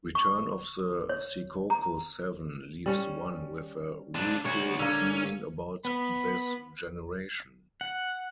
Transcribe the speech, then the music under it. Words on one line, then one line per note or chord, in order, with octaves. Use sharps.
"Return of the Secaucus Seven" leaves one with a rueful feeling about this generation.
C#6
C#5
A#5
G3 C#4
G#2 D4
D2 F#4 C#5
D3 A#3 C#4
B3 B5
F#5